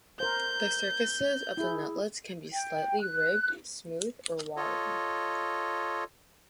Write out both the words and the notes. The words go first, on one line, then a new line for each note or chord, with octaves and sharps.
The surfaces of the nutlets can be slightly ribbed, smooth or warty.
A#4 C5 G6
E4 G#4
G5
F#6
F4 A4 C#5 D#5